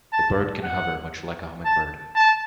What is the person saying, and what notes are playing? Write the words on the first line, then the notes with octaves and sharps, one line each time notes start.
The bird can hover, much like a hummingbird.
A5
F#5
A5
A5